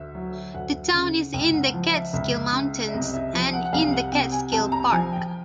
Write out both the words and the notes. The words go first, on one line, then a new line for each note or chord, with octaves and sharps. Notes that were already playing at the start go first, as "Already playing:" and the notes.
The town is in the Catskill Mountains and in the Catskill Park.
Already playing: D2 E5
F#3
D2 F#5
C#3
C#2 G5
F#5
F3
E5
C#2 E5
C#3
E5
C2 D#5
E5
F3
F#5
F#5
C2 F5
F#5
C3 G5
G#5
C2 A5
A#5
F3 G#5
G5